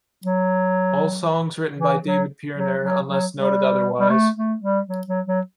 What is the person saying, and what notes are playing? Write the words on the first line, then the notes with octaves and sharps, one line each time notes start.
All songs written by David Pirner unless noted otherwise.
F#3
E3
F#3
F#3
F#3
F#3
G3
G3
A3
A3
G3
F#3
F#3
F#3